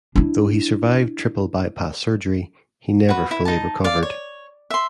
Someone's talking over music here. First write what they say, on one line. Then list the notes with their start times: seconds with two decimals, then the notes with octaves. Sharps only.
Though he survived triple bypass surgery, he never fully recovered.
0.16 D4 E4
3.09 F#4 B4
3.31 E4
3.45 D#4 A5
3.84 D5 F5
4.03 C#5
4.70 E5 C6